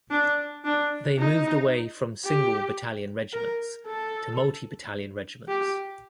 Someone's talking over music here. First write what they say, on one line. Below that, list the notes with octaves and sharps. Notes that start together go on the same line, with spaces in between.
They moved away from single battalion regiments to multi battalion regiments.
D4
D4
D#4
G4
A#4
A4
G4